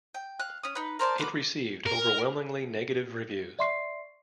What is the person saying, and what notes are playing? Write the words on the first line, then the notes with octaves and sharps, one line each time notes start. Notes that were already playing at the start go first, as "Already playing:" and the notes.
It received overwhelmingly negative reviews.
G5
F5 F#6
C#4 D#6
D#4 B4
A#4 C5 D5 A5
A#3 F#4 B4 D6
A#4
D5 E5 C6 C#6 C7